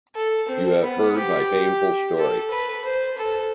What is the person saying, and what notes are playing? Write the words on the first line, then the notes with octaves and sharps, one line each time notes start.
You have heard my painful story.
A4
C4
B3
G4
A4
B4
C5
A4